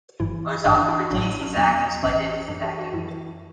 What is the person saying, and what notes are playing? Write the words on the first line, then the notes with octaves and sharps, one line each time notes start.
Most often, when Daisy is active, Splendid is inactive.
G1 G2 E3 E4
G1 G2 E3 D4
D4
E4
F#4
A1 A2 F#3 D4
D4
C#4
E2 B2 F#3 B3
A1 G2 E3 C#4
F#2 E3 D4
G4
F#4
F#2 E3 E4